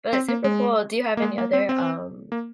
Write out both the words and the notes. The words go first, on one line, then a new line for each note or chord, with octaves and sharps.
but super cool. Do you have any other, um,
C4
A#3
G#3
A#3
G#3
A#3
C4
C4
A#3